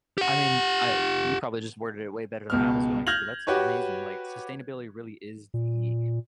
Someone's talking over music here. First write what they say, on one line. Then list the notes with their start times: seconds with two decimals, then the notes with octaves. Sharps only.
I mean, I You probably just worded it way better than I was going to, that's amazing, like, sustainability really is the,
0.18 G4 F#5
2.50 C#2 B2 F6
3.07 F6 G6 G#6 A#6 F7 F#7
3.47 F#4 G4 B4 C#5
5.54 A#2